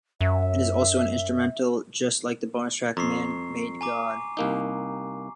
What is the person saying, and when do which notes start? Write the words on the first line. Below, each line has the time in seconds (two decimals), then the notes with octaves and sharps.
It is also an Instrumental, just like the Bonus Track, "Man Made God".
0.21 F#2 E5
2.97 F2 A#5 C#6 C7
3.81 G#5 A#5 D6
4.37 C2 A#3 D#4